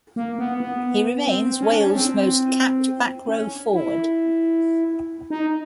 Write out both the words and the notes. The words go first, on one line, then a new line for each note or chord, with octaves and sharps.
He remains Wales most capped back row forward.
A#3
B3
B3
C4
C#4
D4
C#4
C4
C#4
E4
D#4